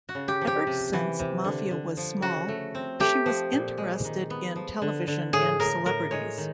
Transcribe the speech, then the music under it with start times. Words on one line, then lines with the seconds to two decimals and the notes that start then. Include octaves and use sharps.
Ever since Maffia was small, she was interested in television, and celebrities.
0.09 F#4
0.15 C#3
0.28 G4
0.41 F3
0.47 G4
0.67 C3
0.93 E3
1.19 C3
1.44 D3
1.71 D3
1.97 F3
2.22 C#3 F#4
2.48 A3
2.75 C4
3.00 A3 G4
3.26 F3
3.53 A#2
3.78 G#3
4.05 D#3
4.30 B3
4.56 F3
4.82 D3
5.07 D3
5.33 A2 G#4
5.59 A2 A#4
5.85 A2 A#4
6.11 G#3 C#5
6.38 D#3